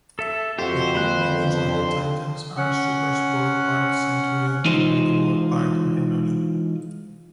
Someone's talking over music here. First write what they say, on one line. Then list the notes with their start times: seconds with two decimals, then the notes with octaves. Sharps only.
The home venues of the Titans are SuperSport Park, Centurion and Willowmoore Park, Benoni.
0.19 A4 E5
0.59 F2 F#4 G4 A4 C5 F#5
0.95 G#3 A#3 F#4 B5 F#6
1.27 D3 B3
1.63 D#2 D3
2.57 C#4 F#5
4.65 E3 G#3 D#4 F4 G#4 C5